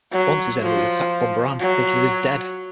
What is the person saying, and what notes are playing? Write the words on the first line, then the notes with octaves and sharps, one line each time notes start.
Once his enemies attacked Bumbaran, thinking he was dead.
F#3
F3
F#3